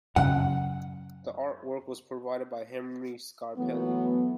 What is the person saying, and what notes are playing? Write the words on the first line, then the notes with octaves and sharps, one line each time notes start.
The art work was provided by Henry Scarpelli.
F#2 C#3 F#5
E3 F#3 A3 B3